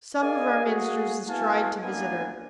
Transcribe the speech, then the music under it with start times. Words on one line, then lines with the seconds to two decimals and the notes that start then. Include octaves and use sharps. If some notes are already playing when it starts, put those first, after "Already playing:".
Some of our ministers has tried to visit her.
0.20 G#4 A#4 D5 D#5 F5 G#5
0.65 A#3 F#4 G#4
1.27 B3 E4 F#4 F5 G#5 A5
1.83 F#2 A2 A#3 B3 D4 G#5